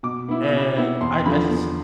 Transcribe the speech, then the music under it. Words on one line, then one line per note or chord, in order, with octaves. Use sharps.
and I I just
B2 D6
B3 E4
B2
B3 E4
E2 C6
D3 F3 B5
E2